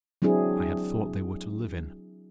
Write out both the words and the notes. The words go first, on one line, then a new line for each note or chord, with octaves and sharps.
I had thought they were to live in.
F#3 C4 D4 E4 G#4